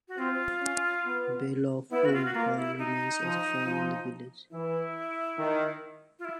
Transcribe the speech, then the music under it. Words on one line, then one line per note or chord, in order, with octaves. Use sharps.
Bylaugh Old Hall remains as a farm in the village.
F#4
C4 F4
C#4
B3
B3 E4
F#4
F4
F#4
A#3 F4
E4
D#4
F3
F3
E3 E4
D#3
F4
E4